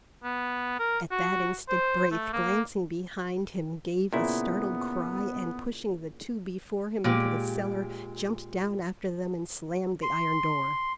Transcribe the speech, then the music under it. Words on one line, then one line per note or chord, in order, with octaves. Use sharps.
At that instant, Braith, glancing behind him, gave a startled cry, and pushing the two before him into the cellar, jumped down after them and slammed the iron door.
B3
A#4
F#4
C5
A3
A#3
A#2 C#3 B3 E4
A#2 G#3 G4
C6